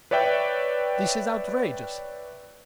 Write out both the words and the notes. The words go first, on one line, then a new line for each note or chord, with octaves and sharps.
This is outrageous!
B4 C#5 D5 E5 G5